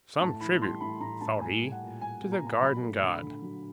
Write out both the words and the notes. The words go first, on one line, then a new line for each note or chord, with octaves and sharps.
'Some tribute,' thought he, 'to the garden god.
A2 A5
E3 B5
G3 C6
A2 B5
A2 A#5
A2 A5
G3 G#5
G3
F#5
A#2
G3 G#5
A#2
A#5
A#2 A#5
F#3 B5
A3
D3
D3
F#3